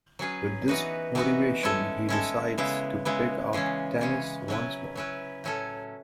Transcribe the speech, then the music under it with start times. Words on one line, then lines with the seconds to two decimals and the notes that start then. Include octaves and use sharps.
With this motivation, he decides to pick up tennis once more.
0.19 F#3 C#4 G#4 B4
0.68 E3 B3 D#4 F#4 B4
1.15 E3 B3 D#4 F#4 B4
1.63 G#3 C#4 E4 A4
2.09 G#3 C#4 E4 A4
2.58 C#3 G#3 B3 E4
3.05 C#3 G#3 B3 E4
3.53 C#3 E3 G#3 C#4
4.01 C#3 E3 G#3 C#4
4.48 F#3 C#4 E4 B4
4.95 F#3 C#4 E4 B4
5.44 A2 F#3 C#4 E4 A4